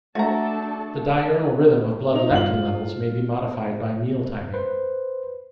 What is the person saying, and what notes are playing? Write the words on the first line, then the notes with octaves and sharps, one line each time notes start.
The diurnal rhythm of blood leptin levels may be modified by meal-timing.
A3 D4 F#4 A4 A5 A#5
D#4 F7
G2 F4 F#7
B4 C5